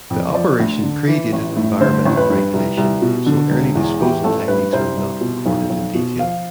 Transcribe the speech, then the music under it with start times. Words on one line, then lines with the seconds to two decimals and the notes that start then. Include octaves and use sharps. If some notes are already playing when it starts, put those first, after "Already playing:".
The operation predated environmental regulation, so early disposal techniques are not recorded in detail.
0.10 F2
0.35 F3 D5
0.60 D2
0.83 D3
1.07 E3
1.33 A1
1.57 A2
1.80 D3 C5
2.05 A1
2.17 B4
2.30 G2
2.54 C2
2.77 C2
3.02 B2
3.26 D3
3.51 E1
3.75 E2
4.00 E3 G4
4.24 A1 A4
4.48 G2 B4
4.73 C2 C5
4.97 C2
5.21 B2
5.46 B1
5.70 B1
5.95 B2
6.19 F3 F5